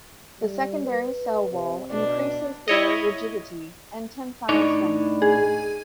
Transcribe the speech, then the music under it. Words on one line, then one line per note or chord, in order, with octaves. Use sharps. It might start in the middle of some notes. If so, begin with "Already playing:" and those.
The secondary cell wall increases their rigidity and tensile strength.
G3
B4
C3
B2 D4
E4 C#5 D#5
A2 D4 D#4 C#5
G#4